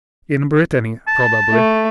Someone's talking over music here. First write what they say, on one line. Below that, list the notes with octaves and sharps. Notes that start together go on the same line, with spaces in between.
"In Brittany, probably."
A5
A3